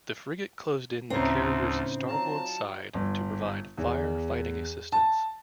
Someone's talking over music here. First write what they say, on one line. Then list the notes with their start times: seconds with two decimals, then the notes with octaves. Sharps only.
The frigate closed in the carrier's starboard side to provide fire-fighting assistance.
1.10 D2 A2 C#3 C4 D#4 E4
2.08 F#3 F5 A5 A#5
2.94 G1
3.78 E2
4.92 A5